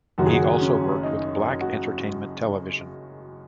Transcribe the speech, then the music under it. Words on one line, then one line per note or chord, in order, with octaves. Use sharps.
He also worked with Black Entertainment Television.
F#1 F#2 D#3 F#4
G#4
F#4
C#4
D#4
F#4